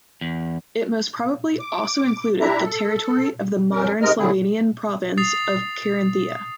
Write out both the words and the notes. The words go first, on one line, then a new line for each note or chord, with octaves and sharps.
It most probably also included the territory of the modern Slovenian province of Carinthia.
E2
D6
D4 E4 G4 E5 A#5
A4
F2 C#4 A#4
G#2 C3 G#3 A#4 D#5 F6
A2 D3 A3 C4 E4 G#4
D#6 A6 C7 F7